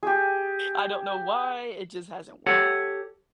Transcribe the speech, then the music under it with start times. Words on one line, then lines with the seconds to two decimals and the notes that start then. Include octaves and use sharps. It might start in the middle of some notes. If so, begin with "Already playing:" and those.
I don't know why, it just hasn't worked.
0.03 G4 G#4
2.47 G4 A4 C#5 F#5